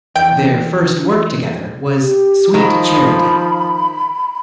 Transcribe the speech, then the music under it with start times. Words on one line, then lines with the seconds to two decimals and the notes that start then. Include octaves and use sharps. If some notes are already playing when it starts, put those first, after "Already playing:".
Their first work together was "Sweet Charity".
0.16 E2 G5
2.00 G4
2.54 D#3 F3 B5